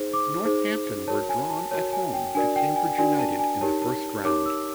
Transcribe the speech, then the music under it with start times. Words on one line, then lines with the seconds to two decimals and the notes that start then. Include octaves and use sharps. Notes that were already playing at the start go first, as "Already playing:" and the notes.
Northampton were drawn at home to Cambridge United in the first round.
Already playing: D#4 G#4 C5
0.13 D6
0.45 D#4 G#4 C5
1.08 F#4 A#4 C#5 A5
1.29 G#5
1.50 A5
1.71 F#4 A#4 C#5 A5
1.93 G#5
2.13 G5
2.34 D4 F#4 A#4 D5 G#5
2.56 G5
2.76 G#5
2.98 D4 F#4 A#4 D5 G#5
3.19 A5
3.39 G#5
3.61 D#4 G4 A#4 C#5 A5
3.82 A5
4.24 D#4 G4 A#4 C#5 D6
4.46 E6